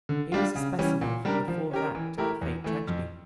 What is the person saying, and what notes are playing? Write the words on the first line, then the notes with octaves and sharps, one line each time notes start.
Here is a specimen from the fourth act of the fate-tragedy.
D3
G3 D4 F4
C#3
E3 G3 C#4
A#2
G3 D4 G4 A#4
F3
C#4 G4 A#4
E3
A3 E4 G4 A#4
E2
E3 A3
F2